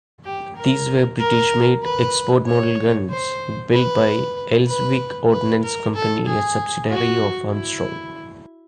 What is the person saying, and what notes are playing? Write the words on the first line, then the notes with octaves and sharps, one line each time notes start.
These were British-made export-model guns built by Elswick Ordnance Company, a subsidiary of Armstrong.
G4
A#4
A#4
B4
C#5
C5
B4
B4
B4
A#4
A4
G#4
F#4
E4